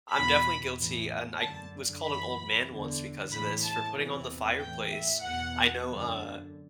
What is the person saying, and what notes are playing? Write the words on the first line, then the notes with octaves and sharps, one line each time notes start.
I'm definitely guilty, and I was called an old man once because of this, for putting on the fireplace. I know, uh,
E2 B2 B5
A2 E3
F#2 D3 A5
F#2 E3 B5
E2 D3
A2 E3 B5
A5
E2 C3 E3
A2 E3 G5
E5
E2 B2 F#5
F#2 D3